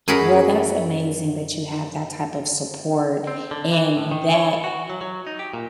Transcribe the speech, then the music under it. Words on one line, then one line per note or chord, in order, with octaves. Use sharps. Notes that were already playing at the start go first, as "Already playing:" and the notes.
Well, that's amazing that you have that type of support, and that
F#2 G#4 A#4 F#5 B5
C4
D3
E3
A2
D#3
C#5
F#4
F#3
F#3
D#4
G4
A#2